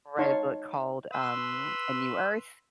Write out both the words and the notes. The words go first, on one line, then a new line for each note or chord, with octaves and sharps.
write a book called, um, A New Earth,
D#4 C#5 F5 A5 C6 C#6
B4 C6 E6